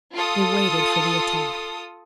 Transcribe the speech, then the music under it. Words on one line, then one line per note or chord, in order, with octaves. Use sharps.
They waited for the attack.
F4 A4 D#6